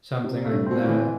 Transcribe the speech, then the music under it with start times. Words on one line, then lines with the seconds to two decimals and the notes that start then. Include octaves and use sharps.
something like that.
0.24 C3
0.45 A3
0.52 G2
0.67 B2 C4
0.81 A2
0.87 E3